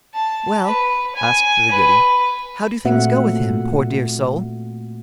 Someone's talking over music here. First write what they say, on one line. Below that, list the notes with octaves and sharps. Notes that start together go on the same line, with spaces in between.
'Well', asked the Goody, 'how do things go with him, poor dear soul?'
A5
B4
G#5
B4
A#2 A3 C4 F#4 E5 F#5